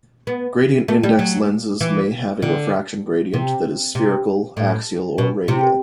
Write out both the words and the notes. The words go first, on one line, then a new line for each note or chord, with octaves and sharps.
Gradient-index lenses may have a refraction gradient that is spherical, axial, or radial.
B3
A3
G3
F#3
E3
D3
C3
C3
A2
B2
C3